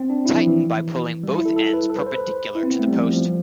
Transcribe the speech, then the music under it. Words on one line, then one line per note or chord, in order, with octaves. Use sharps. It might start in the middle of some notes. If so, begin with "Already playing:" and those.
Tighten by pulling both ends perpendicular to the post.
Already playing: C4
D4
E4
F3
E3
G3
E4
A4
A4
B4
A4
B4
C5
B4
E4
C4
B3
A3
G3
F3
F3